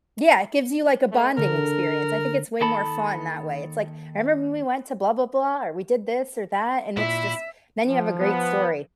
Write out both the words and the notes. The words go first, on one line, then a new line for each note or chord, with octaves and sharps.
Yeah, it gives you, like, a bonding experience. I think it's way more fun that way. It's, like, "I remember when we went to blah blah blah, or we did this, or that, and it's just" and then you have a great story.
A3
D3 A#4
D#2 D#3 A4 A5 B5
A#2 E4 E5
F3
B3